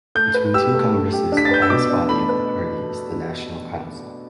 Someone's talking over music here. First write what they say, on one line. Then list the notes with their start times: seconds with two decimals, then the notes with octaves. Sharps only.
Between two congresses the highest body of the party is the National Council.
0.15 A3 G6
0.34 B4
0.54 G4 E6
0.73 A3
0.93 A3
1.12 G4
1.32 D4
1.37 B6
1.45 A6
1.51 B4 G6
1.62 E6
1.70 B2 D6
1.90 D4
2.09 A3 B5
2.29 B4